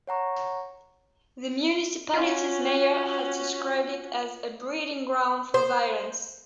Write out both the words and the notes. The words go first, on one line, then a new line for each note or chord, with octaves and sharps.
The municipality's mayor has described it as "a breeding ground for violence".
C#5 F#5 A#5 C#6
C#4 F4 F#4
C5